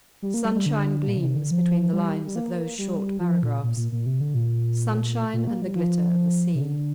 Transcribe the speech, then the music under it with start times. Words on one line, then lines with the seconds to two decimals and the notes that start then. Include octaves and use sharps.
Sunshine gleams between the lines of those short paragraphs--sunshine and the glitter of the sea.
0.22 G3
0.34 A#3
0.45 G3
0.55 G3
0.66 D3
1.07 A#2
1.16 D3
1.22 C3
1.36 D3
1.51 F3
1.93 G3
2.26 G3
2.36 A#3
2.79 G3
3.20 F3
3.43 A#2
3.63 A#2
3.77 A#2
3.92 A#2
4.06 C3
4.20 D3
4.34 A#2
5.33 A#2
5.47 A#3
5.62 G3
5.76 F3
6.55 C3
6.61 D3